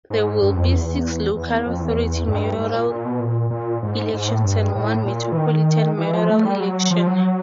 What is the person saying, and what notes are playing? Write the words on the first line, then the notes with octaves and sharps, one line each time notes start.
There will be six local authority mayoral elections and one metropolitan mayoral election.
G#2
G2
F#2
F2
E2
E2
F2
E2
G2
G#2
A#2
A#2
B2
A#2
A#2
G#2
G#2
A2
G2
A2
A#2
E3
D#3
E3
F3
A3
G3
F#3
F3
F#3